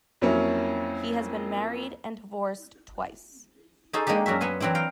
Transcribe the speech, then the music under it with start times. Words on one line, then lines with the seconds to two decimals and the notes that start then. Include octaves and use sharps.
He has been married and divorced twice.
0.21 F2 F#3 A#3 C#4 E4
3.93 D#4 F#4 G#4 A4 C5
4.07 G#3 A#3 D4 D#4 G4
4.26 F#2 F#3 F#4 E5
4.41 B3 B4 G#5 C6
4.60 E3 F#3 C4 D4 E4
4.75 F5 G5 A#5